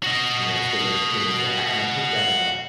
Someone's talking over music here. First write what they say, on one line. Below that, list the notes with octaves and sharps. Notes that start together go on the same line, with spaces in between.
you know, state representatives and I and I think that, uh,
F#4 D#5